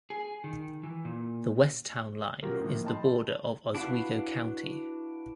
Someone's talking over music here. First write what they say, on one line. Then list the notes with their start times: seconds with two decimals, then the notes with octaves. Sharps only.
The west town line is the border of Oswego County.
0.10 G#4
0.44 D#3
0.83 E3
1.05 A#2
2.43 F#3 C#4 F4 G4 A#4
2.61 A2 D3 F3 A#3
2.85 D#5 G5 A5 B5 C6
3.75 D4 E4 F#4 B4 F5